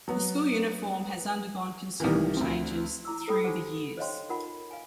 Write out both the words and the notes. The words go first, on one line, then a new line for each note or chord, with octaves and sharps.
The school uniform has undergone considerable changes through the years.
F#3 B3
C2 D#3 E3
D2 C4
E4 A#5 D6 E6
A4 C5 G5 B5 D#6
D#4 F#4 G4 C5 F#5 D6
C5 C#5 D#5 F5 G5 C6
D#4 F4 A#4 F#5 B5
F5 G#5